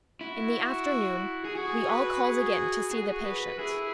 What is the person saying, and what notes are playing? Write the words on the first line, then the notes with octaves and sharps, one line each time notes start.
In the afternoon we all called again to see the patient.
E4 F#4
G#4
F#4 G#4
B4
G#4
F#4 G#4
B4
E4 G#4